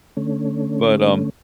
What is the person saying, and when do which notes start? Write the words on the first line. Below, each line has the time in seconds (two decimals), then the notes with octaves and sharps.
but, um,
0.17 D3 A3 C#4